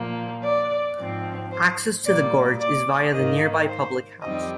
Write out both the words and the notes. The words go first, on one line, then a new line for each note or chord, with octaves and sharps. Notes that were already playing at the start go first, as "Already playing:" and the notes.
Access to the gorge is via the nearby public house.
Already playing: A#2 F3 A#3
D5
G#2 F3 C4
C5
A#2 G3 A#3 D5
D5
G#2 D#3 A#3 D#5
C5
F2 D#3 G3 C4 D#5